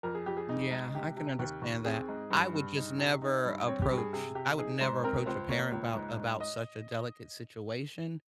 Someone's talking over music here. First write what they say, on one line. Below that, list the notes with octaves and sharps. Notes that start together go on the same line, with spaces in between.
Yeah, I can understand that, I would just never approach I would never approach a parent about about such a delicate situation,
F2 A#4
G#4
F2 G4
G#4
D#4
G#2
C3 G4
C3
D#2
D#2
C4 G#4
G#2
G2
G2
D#4
C3
D#4
G2
C4 C#5
G4
G2
G#4
C3 G#4
C3 G4
D#4 G#4
G#2 C5
C4 A#4
C#2 C5
A#3 C#5
C#2
G#2
G#2
D#5